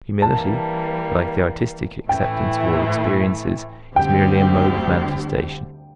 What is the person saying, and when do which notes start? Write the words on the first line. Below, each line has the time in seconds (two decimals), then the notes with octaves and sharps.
Humility, like the artistic, acceptance of all experiences, is merely a mode of manifestation.
0.22 E3 G3 A#3 A5
2.09 A2 E3 A3 E4 G5
3.96 D2 D3 G3 C4 G4 G5